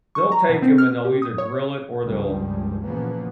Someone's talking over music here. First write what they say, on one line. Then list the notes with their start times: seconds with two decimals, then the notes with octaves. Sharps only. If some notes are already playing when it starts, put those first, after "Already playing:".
they'll take 'em and they'll either grill it or they'll
0.15 C#6
0.32 A#5
0.49 B2
0.62 C4
0.78 F6
1.05 G4
1.22 D#6
1.38 C#5
2.02 C#2 G2 D#3 F3 G3 G#3
2.83 A#2 C#3 E3 F3 A#3 B3